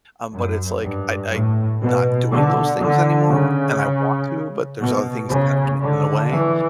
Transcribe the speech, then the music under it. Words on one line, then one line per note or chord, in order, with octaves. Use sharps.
um, but it's like I I not doing those things anymore, and I want to, but there's other things kinda getting in the way,
F#2
G2
A2
B2
D3
D3
C#3
B2
C#3
D3
E3